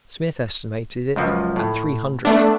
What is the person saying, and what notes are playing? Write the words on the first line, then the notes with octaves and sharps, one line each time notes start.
Smith estimated it at three hundred.
C#2 F#2 F3
A2
A3 B3 D4